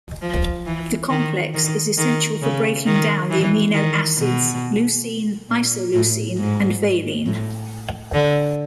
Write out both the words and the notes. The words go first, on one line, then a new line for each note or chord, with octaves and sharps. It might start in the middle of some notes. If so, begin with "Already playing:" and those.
The complex is essential for breaking down the amino acids leucine, isoleucine, and valine.
F3
E3
D#3
D#3
D#3
C#3
D#3
E3
D#3
B2
A#2
A2
G#2
A2
D3